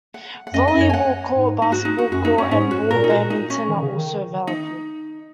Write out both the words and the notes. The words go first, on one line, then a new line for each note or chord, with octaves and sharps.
Volleyball court, basketball court and ball badminton are also available.
F#5
F#5
F#2 D#5
F#2 D#5
C#5
G#5
F#5
G#2
D#4
F#4
D#4
F#4
F#2 F#4
D#4
C#4
G#2 C#4
F#4
A#2 A#4
D#4
F#4
D#4
C#4
D#3
C#3
D#3
D#4